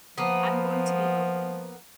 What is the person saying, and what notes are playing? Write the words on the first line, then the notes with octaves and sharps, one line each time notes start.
I'm going to be open.
F3 A#3 B3